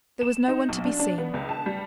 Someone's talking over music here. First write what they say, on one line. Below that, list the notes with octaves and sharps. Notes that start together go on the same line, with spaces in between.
There was no one to be seen.
E7
D#4
B1
D4
D4
B3
C#2
A5
G3